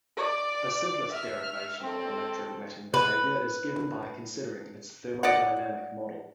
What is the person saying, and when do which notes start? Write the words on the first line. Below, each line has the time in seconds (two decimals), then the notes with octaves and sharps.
The simplest derivation of electrowetting behavior is given by considering its thermodynamic model.
0.17 D5
1.12 E5 F6
1.81 C4 A4
2.94 B4
5.23 D5 D#5 F#5